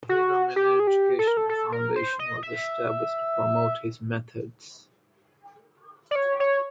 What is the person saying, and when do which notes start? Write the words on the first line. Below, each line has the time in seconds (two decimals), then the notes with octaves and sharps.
The Haberman Educational Foundation was established to promote his methods.
0.09 F#4
0.56 G4
0.80 G#4
0.87 G4
1.19 A4
1.27 A#4
1.37 A4
1.49 A4
1.72 A#4
1.96 C5
2.19 D#5
2.43 E5
6.11 D5
6.16 C#5
6.40 C#5